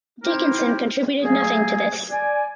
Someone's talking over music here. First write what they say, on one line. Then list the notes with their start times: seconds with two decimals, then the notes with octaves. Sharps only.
Dickinson contributed nothing to this.
0.23 C4 D#4 E4 G4 A#4 C5
1.22 F#3 A3 A#3 G#4
2.10 D5 G#5